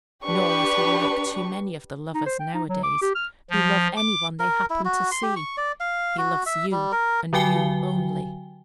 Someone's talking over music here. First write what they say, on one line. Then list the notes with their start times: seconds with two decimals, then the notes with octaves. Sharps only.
Nor is he like too many of the lovers nowadays, who love any one they happen to see; he loves you, and you only.
0.24 D4 G4 B4 C#6
2.14 D#4
2.26 C5
2.40 G5
2.54 D#4
2.69 F#3
2.83 D6
3.02 G4
3.15 F6
3.50 F3
3.96 D6
4.39 A#4
4.70 E4
4.85 F#4
5.11 C6
5.23 G4
5.36 C#6
5.57 D5
5.80 F5
6.18 F#4
6.46 E5
6.71 G3
6.92 A#4
7.33 D3 F#3 F#4 G5 G#5 G7